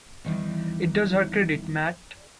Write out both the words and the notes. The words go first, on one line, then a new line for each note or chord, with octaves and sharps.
It does her credit, Mat!
E2 D#3 E3 G3 D#4